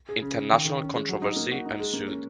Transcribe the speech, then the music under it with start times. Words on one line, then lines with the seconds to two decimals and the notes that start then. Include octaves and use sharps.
International controversy ensued.
0.09 G#4
0.22 C#3
0.36 C#3
0.52 D#3
0.65 D#3
0.80 C#4
0.94 G#3
1.09 F#3
1.22 D#4
1.36 A#3
1.52 F#4
1.66 D#4
1.80 G#3
1.93 A#3
2.08 C#4